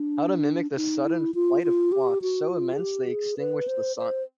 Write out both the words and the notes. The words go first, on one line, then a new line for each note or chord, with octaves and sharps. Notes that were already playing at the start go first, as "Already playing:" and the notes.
How to mimic the sudden flight of flocks so immense they extinguished the sun?
Already playing: D4
D#4
E4
F4
F4
G4
F#4
F4
G#4
G4
G#4
B4
C5
C5